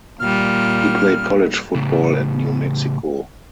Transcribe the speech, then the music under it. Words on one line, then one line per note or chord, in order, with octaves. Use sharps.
He played college football at New Mexico.
A#2 G3 F6
A2 C#3